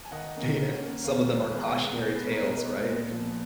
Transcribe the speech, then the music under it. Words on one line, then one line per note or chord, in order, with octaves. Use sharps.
Yeah, some of them are cautionary tales, right?
G#5
D#3 D#5 F#5
A#3 C#4
D#3
A#3 C#4
D#3 C#5 F5
G#3 B3
D#3 G#4 B4
G#3 B3
B2 G#4
G#4 B4
G#3 B3
A#4 C#5
B2 B4 D#5
G#3 B3
A#2
F3 B3